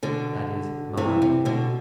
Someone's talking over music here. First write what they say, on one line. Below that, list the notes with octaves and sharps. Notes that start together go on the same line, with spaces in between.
That is, mine.
B2 D3
C3 E3
C3
B2 D3